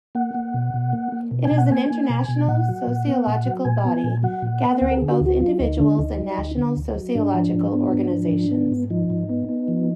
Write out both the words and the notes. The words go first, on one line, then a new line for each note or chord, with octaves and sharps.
It is an international sociological body, gathering both individuals and national sociological organizations.
A#3 F#5
A#3
B2
B2
A#3
A#3
B2
G#5
B2
F#5
A#3 G#5
A#3
B2
B2
A#2 F#5
F#3
A#2
B3
A#2
F#3
A#2 G#5
B3
A#2
F#3 F#5
A#2
B3
D2 F#5
A#4
D3 G#4
F#4
D2
F#4
F#3 F4
D2 D#4
D3 D4
D2 D#4
F#3
D2
D3
D2
F#3
G#2 D4
F3
G#2
B3
G#2
F3
G#2
B3
G#2
F3 D#4
G#2
B3
B3
F3